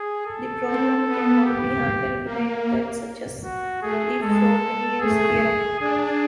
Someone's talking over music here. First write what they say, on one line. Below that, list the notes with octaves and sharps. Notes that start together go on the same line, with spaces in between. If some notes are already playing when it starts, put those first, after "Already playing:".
The problem can now be handled by methods such as the Frobenius theorem.
Already playing: G#4
A4
C4
B3
G4
A#3
F#4
A3 G#4
G#3 A4
A3 G#4
D4 G#4